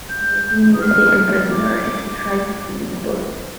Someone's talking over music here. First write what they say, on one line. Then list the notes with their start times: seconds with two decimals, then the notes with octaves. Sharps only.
Morosini was taken prisoner as he tried to flee in a boat.
0.09 G6
0.74 D#6
0.81 F6
1.51 D6